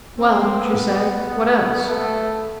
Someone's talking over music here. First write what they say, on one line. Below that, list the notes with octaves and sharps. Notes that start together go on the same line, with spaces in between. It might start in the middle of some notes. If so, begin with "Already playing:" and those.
"Well," she said, "what else?"
C4
B3
A3